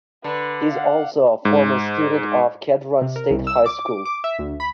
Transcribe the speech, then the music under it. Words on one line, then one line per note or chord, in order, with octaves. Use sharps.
He is also a former student of Kedron State High School.
D3 B4
F5 F#5
G#2
C3
A#4
C2
E6
D6
D6
E5
D2
B5